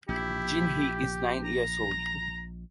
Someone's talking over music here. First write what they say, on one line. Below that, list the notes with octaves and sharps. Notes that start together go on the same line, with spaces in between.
Jinhee is nine years old.
A#1 E4 G4
A#5